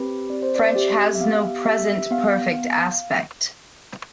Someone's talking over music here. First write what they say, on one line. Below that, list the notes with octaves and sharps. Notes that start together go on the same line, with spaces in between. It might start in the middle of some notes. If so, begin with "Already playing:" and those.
French has no present perfect aspect.
Already playing: C4 G4 B4
C4 D5
C5
D5
G4 E5
E5
B3 F5
G4 E5
B3 F5